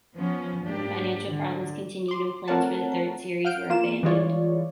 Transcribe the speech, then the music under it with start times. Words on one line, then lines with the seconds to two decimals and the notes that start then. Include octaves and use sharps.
The financial problems continued and plans for a third series were abandoned.
0.14 F3 B3 C#4
0.64 G#2 A#3 D4 G4
1.28 D3
2.08 C6 D6
2.48 A3 C4 A#4 C#5 F#5 A5
3.45 F5 F#5 F6 G6 D7
3.70 A#3 F4 E7
4.03 E3 G3 G#3 F4 C#5 D5